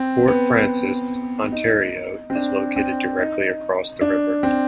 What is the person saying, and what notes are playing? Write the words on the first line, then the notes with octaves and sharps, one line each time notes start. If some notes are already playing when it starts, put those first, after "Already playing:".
Fort Frances, Ontario is located directly across the river.
Already playing: C4
B3
D#4
C4
D4
C4
D#4
D4
C4